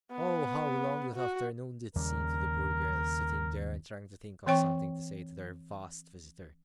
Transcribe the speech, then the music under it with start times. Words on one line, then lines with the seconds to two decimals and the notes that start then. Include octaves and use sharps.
Oh, how long that afternoon did seem to the poor girls, sitting there and trying to think of something to say to their vast visitor!
0.12 B3
1.17 F#4
1.96 D#2 C#3 G3 A#4
4.46 E3 C4 C#5 G5 C#6